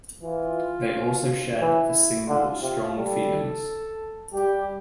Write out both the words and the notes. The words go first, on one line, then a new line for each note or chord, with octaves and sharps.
They also shared the single "Strong Feelings".
E3 F4
E3 E4
D3 F4
C3 F4
G3 A4
G3 G4